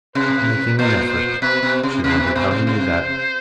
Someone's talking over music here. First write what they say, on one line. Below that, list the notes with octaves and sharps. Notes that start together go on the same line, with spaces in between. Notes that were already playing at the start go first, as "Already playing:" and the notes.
"Not making an effort ..." she wondered how he knew that.
C3 B4
A#2 C5
C5
B2 B4
B2
C3
C3 B4
B2
B2 C5
C3
C3